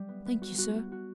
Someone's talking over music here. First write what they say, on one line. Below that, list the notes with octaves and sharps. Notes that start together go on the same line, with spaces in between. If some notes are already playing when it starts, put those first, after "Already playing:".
"Thank you, sir."
Already playing: G3
B3
B3
F#4
F#4
F#4
F#4